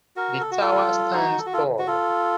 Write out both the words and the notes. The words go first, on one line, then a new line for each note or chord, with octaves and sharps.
The tower stands tall.
F#4 A#4
A4
F#4
F4 A4
D#4 F#4
A4
F#4
F4 A4
F#4
F4 A4